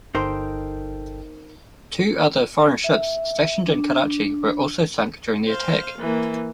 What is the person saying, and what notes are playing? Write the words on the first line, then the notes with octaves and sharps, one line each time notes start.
Two other foreign ships stationed in Karachi were also sunk during the attack.
G1 D#4 A4 A#4 C5 G5
E5
D4
C5 F5
E3 A#3